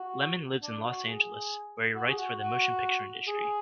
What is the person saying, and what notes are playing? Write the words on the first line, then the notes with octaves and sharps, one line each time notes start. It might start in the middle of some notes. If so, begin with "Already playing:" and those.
Lemon lives in Los Angeles where he writes for the motion picture industry.
Already playing: F#4
D4
F#4
G#4
F#4
G#4
F#4
F#4
G#4